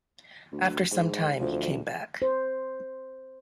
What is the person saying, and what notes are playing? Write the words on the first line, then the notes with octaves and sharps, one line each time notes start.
After some time he came back.
D2
G#2
D2 F3
C5